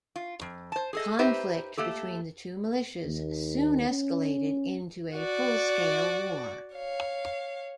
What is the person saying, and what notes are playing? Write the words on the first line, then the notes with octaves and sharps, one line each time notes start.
Conflict between the two militias soon escalated into a full-scale war.
F4
F2
C5 A5
G#4 A4 D#5
D#4 G4 B4 C5 E5
A3 A#3 G4 A4
D#2
C#4
F#4 D5
C#5 F5